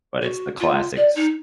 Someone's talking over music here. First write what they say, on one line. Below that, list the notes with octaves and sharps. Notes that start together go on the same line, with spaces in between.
But it's the classics.
F#4
F4
D5
D#4